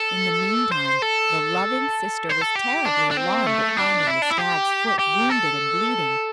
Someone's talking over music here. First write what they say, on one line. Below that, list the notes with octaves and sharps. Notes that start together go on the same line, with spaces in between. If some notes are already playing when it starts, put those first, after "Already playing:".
In the meantime the loving sister was terribly alarmed at finding the stag's foot wounded and bleeding.
Already playing: A4
C5
A4
C5
A4
G4
D4
D4
C4
A3
D4
E4
D4
E4
G4
G4
A4